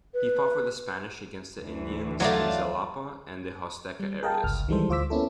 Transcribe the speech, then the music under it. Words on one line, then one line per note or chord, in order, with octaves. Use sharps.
He fought for the Spanish against the Indians in Xalapa and the Huasteca areas.
B4
D2 E3
F#3 A3 D4 F4
G3
G#4 A#4 D#5 F5 G5 A5
G1 C#2 F6
D#3 E3 G3 G#3 A4 C5
D2 F4 C5 D6 E6 B6
A#3 B3 C#4 E4 A4